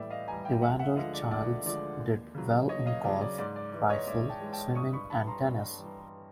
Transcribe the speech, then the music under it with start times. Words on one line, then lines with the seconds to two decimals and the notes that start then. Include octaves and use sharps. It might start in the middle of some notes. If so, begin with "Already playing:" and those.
Evander Childs did well in golf, rifle, swimming, and tennis.
Already playing: A2 E3 G3 D5 E5
0.10 D#5 F5
0.28 E3 G3 G#5 A#5
0.45 F5 G5
0.62 D2 E5 F#5
0.79 E5 F#5
0.96 D3 F3 G#3 D#5 F5
1.14 D5
1.31 D2 D5
1.66 D3 F3 G#3 D5
2.00 D#2
2.35 C#3 F#3
2.69 D#2 C#5 D#5
2.86 D#5 F5
3.04 C#3 D5
3.08 F#3
3.21 D5
3.38 G#2 D5
3.56 D5
3.72 E3 G#3 D5
3.90 C#5 D#5
4.07 G#2 D5 E5
4.29 G5 A5
4.42 E3 G#3
4.53 G5 A5
4.75 G2 C#6 D#6
4.93 B5 C#6
5.10 E3 G3 A5 B5
5.27 A#5 C6
5.45 G2
5.79 E3 G3